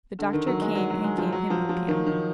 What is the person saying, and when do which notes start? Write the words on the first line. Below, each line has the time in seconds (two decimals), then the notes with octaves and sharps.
The doctor came and gave him opium.
0.19 D3
0.33 D#3
0.47 F#3
0.62 G#3
0.75 F#3
0.90 F#3
1.04 G#3
1.18 F3
1.32 F#3
1.50 F3
1.69 F3
1.88 D#3
2.07 D#3